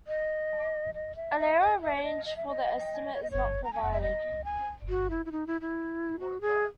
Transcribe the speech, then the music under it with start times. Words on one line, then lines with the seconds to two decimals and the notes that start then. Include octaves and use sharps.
An error range for the estimate is not provided.
0.07 D#5
0.94 D#5
1.16 E5
1.38 E5
1.55 E5
1.60 D#5
1.77 F#5
1.81 E5
1.96 C#5
2.04 D#5
2.26 D#5
2.36 E5
2.48 D#5
3.14 C#5
3.23 D#5
3.31 C#5
3.64 A#5
3.73 G#5
3.83 F#5
3.92 E5
4.01 D#5
4.44 G#5
4.89 F#4
5.10 E4
5.26 E4
5.32 D#4
5.47 E4
5.61 E4
6.20 F#4
6.41 G#4